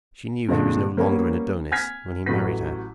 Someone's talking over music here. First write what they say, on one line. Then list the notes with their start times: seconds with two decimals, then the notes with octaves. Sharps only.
"She knew he was no longer an Adonis when he married her."
0.48 G2 A#2 D3 G#3 C4 D4
0.97 G3 A#3 B3 C#4
1.72 G#5 F6 G#6 B6
2.26 A1 A2 F#3 B4 B6